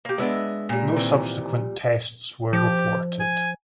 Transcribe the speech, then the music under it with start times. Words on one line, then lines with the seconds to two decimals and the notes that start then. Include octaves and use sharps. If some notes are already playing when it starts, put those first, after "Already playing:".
No subsequent tests were reported.
0.05 A#3 G4
0.18 G#3 B3 D4 D#5 E5
0.69 A#2 G3
0.97 D#3 E3 C4
2.53 F3 G4
3.20 G#5